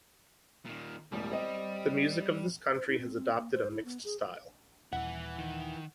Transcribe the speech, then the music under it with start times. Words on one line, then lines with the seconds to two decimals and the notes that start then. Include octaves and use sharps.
The music of this country has adopted a mixed style.
0.65 A#2 D#3
1.12 E1 A1 G3
1.32 C4 D#5
2.75 C5
2.88 E4
3.00 C4
3.15 C4
3.38 A#3
3.54 C5
3.71 E4
3.85 B3
4.05 G#4
4.93 D#1 E3 E4 F#5
5.39 D#3